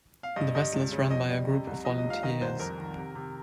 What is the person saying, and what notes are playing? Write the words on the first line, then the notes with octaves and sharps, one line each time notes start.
The vessel is run by a group of volunteers.
F5
G2 D#5
G2 D#5
C#2
C#3
F2 D#5
G3
C3
C2
F3 D#5
D#5
F1
F5
D#3 D#5
C2 C5
F2 A#4
D#3
C3
C3